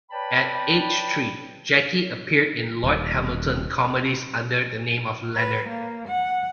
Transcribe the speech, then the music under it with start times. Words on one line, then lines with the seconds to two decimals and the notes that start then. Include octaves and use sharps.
At age three, Jackie appeared in Lloyd Hamilton comedies under the name of "Leonard".
0.10 B4 C#5 D5 G5 A5 B5
2.84 D#1
5.35 B4
5.69 A#3
6.08 F#5